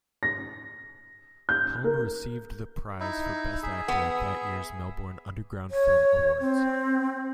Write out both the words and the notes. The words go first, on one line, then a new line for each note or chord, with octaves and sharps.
Hulme received the prize for best actor at that year's Melbourne Underground Film Awards.
A#6
G6
A#4
D#4 E4
G#4 E5
B3
C#5
C4